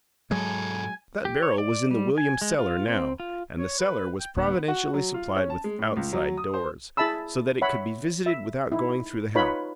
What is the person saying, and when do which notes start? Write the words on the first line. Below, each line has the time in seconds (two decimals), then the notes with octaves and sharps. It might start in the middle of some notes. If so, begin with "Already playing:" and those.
That barrel was in the Williams' cellar now, and the cellar was providentially supplied with "outside doors," so that it could be visited without going through the house.
0.31 G#2 F#3 G#3 A4 G#5
1.25 G4
1.42 C#5
1.58 D5
1.91 G3
2.18 G#5
2.42 G#3
2.59 F4
2.88 C4
3.20 F4
3.59 C#5
3.79 B4
4.20 G5
4.36 D1 A#3 B3 D4
4.68 F#4
4.94 F#3
5.14 F4
5.36 C#4
5.50 A5
5.64 G#3
5.79 A2
5.97 C#2
6.13 F#3
6.37 D#6
6.54 C5
6.97 E4 G#4 E5 A5 B5 E6
7.62 C#5 E5 F#5 B5
8.26 E5
8.72 D#4 E4
9.35 D#4 F4 B4 C#5 B5